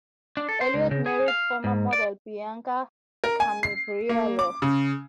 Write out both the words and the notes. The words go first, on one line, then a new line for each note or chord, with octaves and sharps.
Eliot married former model Bianca Ciambriello.
D4
A4
C5
C#2
C#3
G#4
F5
G#2
D5
A#4
G#5
C7
A#3
D6
C#3